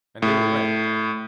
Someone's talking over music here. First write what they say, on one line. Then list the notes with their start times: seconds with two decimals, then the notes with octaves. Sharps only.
And they were right.
0.22 A2